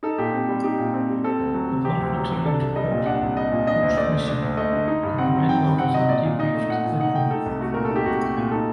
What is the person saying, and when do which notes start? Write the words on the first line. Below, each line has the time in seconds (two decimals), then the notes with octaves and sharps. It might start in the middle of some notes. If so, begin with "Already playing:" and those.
Upon returning to port post-mission, the Commanding Officer debriefed the crew.
0.03 D#4 A4
0.18 A#2 G4
0.33 C4
0.49 G3
0.64 D#4 G4
0.79 A#2
0.94 C4
1.10 G3
1.24 C4 A4
1.39 D2
1.54 F#3
1.70 C3
1.85 C4 G4
2.01 D2
2.15 F#3
2.30 C3
2.45 D4 A4
2.61 C2
2.76 G3 D#5
2.91 A#2
3.06 D4 F#5
3.22 C2
3.36 G3 D#5
3.52 A#2
3.67 D4 D#5
3.83 D2
3.97 A3 D5
4.12 D3
4.27 D4
4.42 D2
4.57 A3 D#5
4.72 D3
4.88 D#4
5.03 G2
5.18 C4 F#5
5.34 F#3
5.49 D#4 G5
5.64 G2
5.78 C4 F#5
5.94 F#3 D#5
6.09 A#2 D5
6.24 A#2
6.39 D#4 D#5
6.55 A3
6.69 A#2 F#5
6.85 A#2
7.00 D#4 F#5
7.15 A3 G5
7.31 D#4 A4
7.46 C2
7.61 A3 F#4
7.74 A#2 A#4
7.85 A4
7.91 D#4 G4
8.06 C2 F#4
8.21 A3
8.36 A#2
8.51 D#4 A4